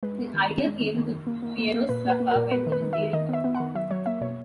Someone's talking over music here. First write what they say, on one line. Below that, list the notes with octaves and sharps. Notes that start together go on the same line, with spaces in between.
The idea came to Piero Sraffa when he was reading a book.
G#3 B4
B3
D#3
D#3
G#3
D#3
D#3
D#3
A#3
A#3
A#3
A#3
A#2 B4
A#3 B4
A#3
A#4
A#2
B3 B4
D#3
B4
D#3
E5
D#3
D#3 D#5
B3 E5
B3
F#5
D#3
F#3 E5
F#3 C#5
A#3 E5
B2 C#5